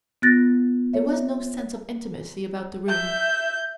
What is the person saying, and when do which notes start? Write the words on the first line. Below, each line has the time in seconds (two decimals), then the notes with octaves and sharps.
There was no sense of intimacy about the room.
0.22 B3 F4 F#6 A6 A#6
0.93 C#5 E5
2.89 E5 G6